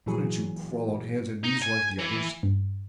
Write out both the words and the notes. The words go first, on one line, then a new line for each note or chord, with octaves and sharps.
Couldn't you crawl on hands and knees like the others?
A#2 E3 F#3 G#4
D#4
G#5
E3
G2